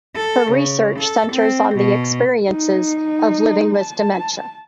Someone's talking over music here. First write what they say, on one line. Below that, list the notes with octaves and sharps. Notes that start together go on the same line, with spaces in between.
Her research centres on the experiences of living with dementia.
A4
C#3
A4
C4
B2
D#4
A5